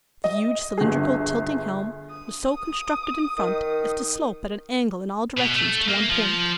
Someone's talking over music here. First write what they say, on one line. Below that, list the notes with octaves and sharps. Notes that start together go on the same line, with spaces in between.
The huge cylindrical tilting helm was so constructed in front as to slope at an angle in all directions to one point.
D#5
G1 G#4
D#6
D#3
B2
A3
A#3
F3